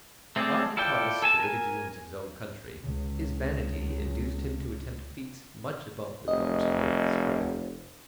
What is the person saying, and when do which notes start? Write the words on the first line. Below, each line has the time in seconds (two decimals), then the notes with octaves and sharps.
While he taught us the rigadoons of his own country, his vanity induced him to attempt feats much above the cumbrous weight of his frame.
0.36 A3 C4 G#4 A4 D5
0.77 E4 F4 A4 D5 G5
1.22 A4 G#5 A5
1.40 A#4 G#5
2.79 C#2 C#3
6.28 F1 D#5